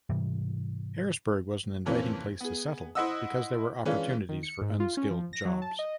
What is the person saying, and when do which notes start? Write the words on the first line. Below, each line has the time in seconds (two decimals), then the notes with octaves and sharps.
Harrisburg was an inviting place to settle because there were opportunities for unskilled jobs.
0.10 G#2 C3 E3 G3
1.86 F2 C3 E3 A#3 C#4
2.40 B3 G#4
2.95 E4 C5 D#5 F#5 D#6 E6
3.85 E3 G#3 C#4 D4 F4
4.29 D#3
4.43 C#7
4.61 G#2
4.80 F4
4.97 C#4
5.11 F3
5.33 A#6
5.45 F#3
5.62 A5
5.79 D#5